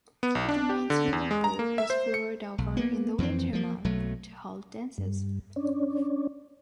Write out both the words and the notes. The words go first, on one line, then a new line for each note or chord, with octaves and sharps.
The main swimming pool was floored over in the winter months to hold dances.
B3
B1
D4
G4
D3
E2
G#3
A#5
A#3
E5
C5
C#7
B1
A#3 B3
F2 E3 B3 C4
F3 A#3
B1 F#3 A3
G2
C#4 D4